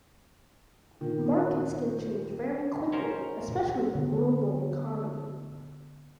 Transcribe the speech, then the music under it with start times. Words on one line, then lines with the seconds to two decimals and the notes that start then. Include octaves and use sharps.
Markets can change very quickly, especially in the global economy.
1.01 A#2 D#3
2.92 C#4 F#4 A#4 C5
3.95 D3 B3